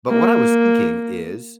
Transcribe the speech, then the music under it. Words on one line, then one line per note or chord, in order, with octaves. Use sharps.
but what I was thinking is,
A#3